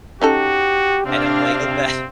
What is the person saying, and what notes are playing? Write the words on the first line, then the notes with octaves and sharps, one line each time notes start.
and I'm laying in bed
C#4 D#4 F#4 G4 A4
C3 C4 D4 F5